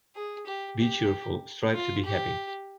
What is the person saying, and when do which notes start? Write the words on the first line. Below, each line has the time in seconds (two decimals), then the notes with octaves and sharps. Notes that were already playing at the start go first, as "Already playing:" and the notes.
Be cheerful. Strive to be happy.
0.15 G#4
0.47 G4
0.79 G4
1.74 F4
2.05 G4